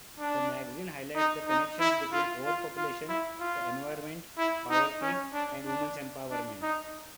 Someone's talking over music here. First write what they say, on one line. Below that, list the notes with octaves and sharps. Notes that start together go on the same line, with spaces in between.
The magazine highlights the connections between overpopulation, the environment, poverty, and women's empowerment.
D4
D#4
D#4
E4
F4
F4
F4
E4
F4
E4
D#4
C#4
D4
D4
D4
D#4